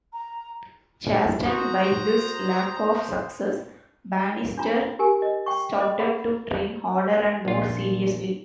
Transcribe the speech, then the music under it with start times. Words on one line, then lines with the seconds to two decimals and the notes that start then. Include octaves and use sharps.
Chastened by this lack of success, Bannister started to train harder and more seriously.
0.13 A#5
1.46 F#4 C5 A#5 D#6
4.58 D4 F4 A#5
4.99 G4 A#4 G#5
5.22 D#5
5.46 G5 C#6
5.79 C5 D#5
5.99 G#4 F#5 B5
7.45 A#1 F4